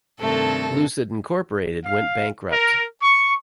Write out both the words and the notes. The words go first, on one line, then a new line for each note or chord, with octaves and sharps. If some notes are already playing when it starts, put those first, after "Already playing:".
Lucid Incorporated went bankrupt.
G2 C3 D#3 A3 A4
F5
A#4
C#6